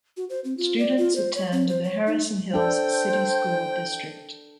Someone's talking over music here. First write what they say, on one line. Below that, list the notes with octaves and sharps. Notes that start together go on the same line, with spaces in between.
Students attend the Harrison Hills City School District.
F#4
C5
C4
F4
D5
F4
C5
C#5
C4
C5
C#5
D#4
D4 A4 C5 G5